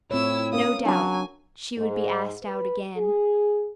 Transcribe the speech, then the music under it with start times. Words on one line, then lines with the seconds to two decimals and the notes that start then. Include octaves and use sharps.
No doubt she would be asked out again.
0.11 A2 C4 E4 F4 C#5 E6
0.53 C#4 A#4 F5 D#6
0.86 F#3 D4 G#5 A5
1.77 G#2
2.43 B4
2.96 G#4